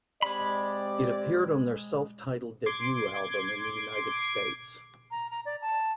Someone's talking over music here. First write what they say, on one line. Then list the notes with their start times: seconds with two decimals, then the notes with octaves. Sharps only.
It appeared on their self-titled debut album in the United States.
0.22 G#3 C4 G4 D5 B5
2.66 C6 D6 G#6 C7 D7
5.11 A#5
5.30 A#5
5.46 D5
5.61 A5